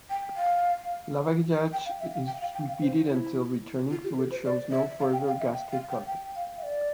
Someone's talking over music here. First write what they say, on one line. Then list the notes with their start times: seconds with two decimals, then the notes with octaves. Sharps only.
Lavage is repeated until the returning fluid shows no further gastric contents.
0.10 G5
0.36 F5
1.73 G5
1.86 F5
2.00 E5
2.13 F5
2.27 G5
2.41 F5
2.54 G5
2.68 F5
2.82 C5
3.09 E4
3.91 F4
4.04 G4
4.17 A4
4.31 C5
4.45 D5
4.71 E5
5.00 F5
5.13 G5
5.27 F5
5.40 E5
5.54 G5
5.72 F5
5.90 G5
6.08 G5
6.36 F5
6.58 E5
6.63 D5